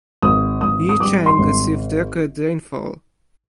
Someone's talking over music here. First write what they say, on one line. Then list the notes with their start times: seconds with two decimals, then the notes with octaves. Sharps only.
Yicheng received record rainfall.
0.23 G#1 D#6
0.61 G#1 D#6
0.89 D#6
1.00 G3 D6
1.26 C6
1.39 G#1